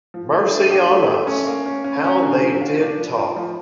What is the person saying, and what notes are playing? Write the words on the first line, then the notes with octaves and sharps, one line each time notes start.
Mercy on us, how they did talk!
F3
A3
D4
G4
A3
A3
C#4
A#3
C#4
C#4
C#4
D3
F3
F4
D4
F3
F4
F3